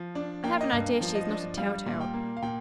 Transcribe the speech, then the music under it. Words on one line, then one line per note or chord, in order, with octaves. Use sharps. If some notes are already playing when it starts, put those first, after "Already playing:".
I have an idea she is not a telltale.
Already playing: F3
D4 D5
A#3 G5
D#5
G2 F5
F3
D#5
D4
G3 F5
A#2
G5
A#3
F5
A#2 G5